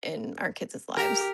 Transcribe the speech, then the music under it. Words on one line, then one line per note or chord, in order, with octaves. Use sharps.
in our kids' lives.
G4 A#4